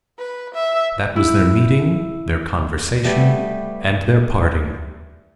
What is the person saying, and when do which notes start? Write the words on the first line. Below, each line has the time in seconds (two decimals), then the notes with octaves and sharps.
That was their meeting, their conversation, and their parting.
0.19 B4
0.54 E5
1.16 E4
3.04 G3 A3 B3